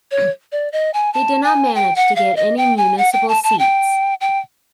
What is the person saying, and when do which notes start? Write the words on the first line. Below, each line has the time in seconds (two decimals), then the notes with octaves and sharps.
They did not manage to get any municipal seats.
0.11 C#5
0.52 D5
0.72 D#5
0.94 G#5
1.14 A5
1.44 G#5
1.75 G5
1.96 F#5
2.16 F5
2.36 D#5
2.57 G5
2.77 G#5
2.98 F#5
3.13 G5
3.29 A5
3.44 A5
3.59 G5
4.21 G5